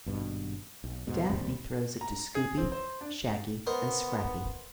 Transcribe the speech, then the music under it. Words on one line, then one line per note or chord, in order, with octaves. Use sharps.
Daphne throws it to Scooby, Shaggy, and Scrappy.
G#1 G2 B2
B1
D#2 G#2 B2
D1 D#2 G3 C4
A#5
G#4
C4
C5
D4
B3 A#4 C5 D#5